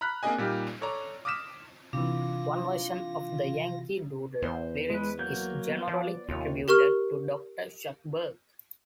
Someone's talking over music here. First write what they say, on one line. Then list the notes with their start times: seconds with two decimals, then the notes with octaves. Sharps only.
One version of the Yankee Doodle lyrics is generally attributed to Doctor Shuckburgh.
0.01 A#5 B5 F6 F#6 B6
0.23 A#3 C4 D4 G#4 D#5 G#5
0.38 A#2 G3 D#4 G4 F6
0.81 A4 C#5 D5 A#5
1.25 D6 D#6 F6 A#6 B6 E7
1.93 C3 E3 D4 F4 A#6
4.42 E2 C5
4.90 G#3 B4
5.19 F#3 A#3 G6
5.67 B3
5.88 F3 D5
6.29 D#2 C3 F4 C#5
6.68 G4 A#4 C#6 F6